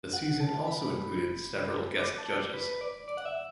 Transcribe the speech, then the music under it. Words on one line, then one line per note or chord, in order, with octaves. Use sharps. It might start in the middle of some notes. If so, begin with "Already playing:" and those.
The season also included several guest judges.
F#5
A5
B5
D6
A5
D5
B4
B4
D5
D5
F#5
E5